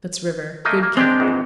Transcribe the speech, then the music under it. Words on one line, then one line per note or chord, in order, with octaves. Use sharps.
Soot's River.--Good camp.
A3 A#3 D#5
A#3
G#3 C4 D4 G4
A#1 E2 G#2